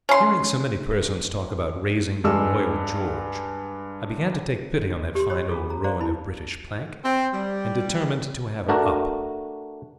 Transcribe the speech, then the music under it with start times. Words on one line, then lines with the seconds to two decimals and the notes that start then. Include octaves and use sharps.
Hearing so many persons talk about raising the "Royal George," I began to take pity on that fine old ruin of British plank, and determined to have her up.
0.09 C#4 C6
2.24 G2 G#3 E6
5.15 G4 C6
5.29 G4 C#5 B5
5.49 F4 G#4 A4
5.70 A#5
5.84 C5 D5 F5 A#5
6.01 E4 A5 B5
7.04 C4
7.34 G3
8.68 A3 D4 F#4 A#4